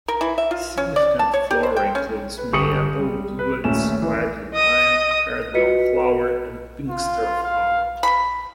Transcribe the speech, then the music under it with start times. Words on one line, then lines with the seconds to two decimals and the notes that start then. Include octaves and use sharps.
Significant flora includes mayapple, bluets, wild lupine, cardinal flower, and pinxter flower.
0.08 A#4
0.21 E3
0.38 E5
0.51 F4
0.77 C#4
0.96 D5
1.19 A5
1.33 C#5
1.51 G4
1.63 C5
1.76 G5
1.95 C#4
2.38 B4
2.53 G1 G4 C#6 D#6 C#7 F#7
2.99 G3
3.39 B4
3.64 D#1 A#2 A3 C#4 E7
4.02 E3
4.54 D#5 D#6
5.54 F4 F#4 B4 D#5 B6 C#7
6.90 F4
7.44 F5
8.03 B5